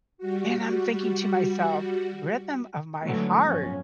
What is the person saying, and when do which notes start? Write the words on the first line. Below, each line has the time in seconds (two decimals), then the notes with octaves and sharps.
and I'm thinking to myself, "Rhythm of my heart?"
0.18 G3 F#4
3.02 D3 E3 F#3 G#3 A3 B3
3.45 G1 A2 F3 F#3 C#4